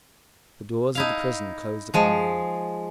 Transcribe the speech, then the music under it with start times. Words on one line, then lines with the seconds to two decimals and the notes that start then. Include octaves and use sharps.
The doors of the prison closed upon him.
0.95 D#4 E4 F5
1.94 F3 G#3